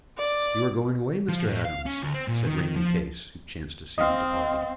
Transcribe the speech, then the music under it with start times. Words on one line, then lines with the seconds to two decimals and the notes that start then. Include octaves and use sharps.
"You are going away, Mr. Adams?" said Raymond Case, who chanced to see him departing.
0.18 D5
1.29 F3
1.47 A2
1.65 F5
1.86 C#4
2.02 D2
2.14 C4
2.28 A#2
2.46 D#3
2.61 D#3
2.76 F3
3.98 C4 D#5 F5